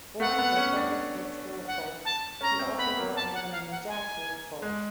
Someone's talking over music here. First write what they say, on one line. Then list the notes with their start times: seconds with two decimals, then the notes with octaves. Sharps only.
Born Josiah Pitts Woolfolk, he also wrote under the name Jack Woolfolk.
0.20 A3 F#5
0.39 B3
0.57 C#4
0.76 D4
1.67 F#5
2.05 A5
2.41 C#4 A#5
2.59 C4
2.78 B3 B5
2.97 A#3
3.15 A5
3.34 F#5
3.51 F5
3.71 F#5
3.88 G#5
4.62 G#3